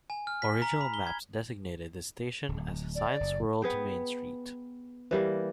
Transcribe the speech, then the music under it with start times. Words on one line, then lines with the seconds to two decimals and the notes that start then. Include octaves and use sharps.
Original maps designated the station as "Science World-Main Street".
0.10 G#5
0.27 F6
0.42 B6
0.62 A#5
0.81 B5
0.94 G7
1.07 G#6
2.48 D1
2.95 D5
3.20 F#1
3.62 B3 G#4 G5
5.11 E3 G3 A#3